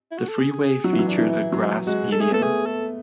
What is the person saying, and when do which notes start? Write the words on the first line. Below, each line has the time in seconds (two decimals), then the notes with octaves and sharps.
The freeway featured a grass median.
0.11 E4
0.17 F#4
0.29 A4
0.40 G#4
0.62 G#4
0.84 F#3 F#4
0.93 E3
0.99 F#3
1.07 D4
1.18 E3
1.30 E4
1.52 F#3
1.87 G#3 F#4
2.12 A4
2.20 A3 G#4
2.31 B3 A4
2.41 A3 G#4
2.66 A4